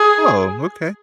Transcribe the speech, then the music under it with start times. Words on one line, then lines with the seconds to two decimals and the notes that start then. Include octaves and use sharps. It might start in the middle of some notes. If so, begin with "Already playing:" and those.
Oh, okay.
Already playing: G#4